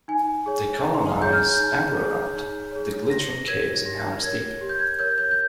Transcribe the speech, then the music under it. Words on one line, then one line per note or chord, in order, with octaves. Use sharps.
They colonised Aglarond, the glittering caves in Helm's Deep.
D#4 G#5
G#4 C#5
D#4 A#5
C6
A#5
G#4 C#5 G6
F6
G6
D#4
G#4 C#5
D#4
G#4 C#5
G4 A#6
A#6
A#4 C#5 G#6
G4 A#6
A#4 C#5 G#6
G4
G6
G#6
A#4 C#5 G6
G6
G6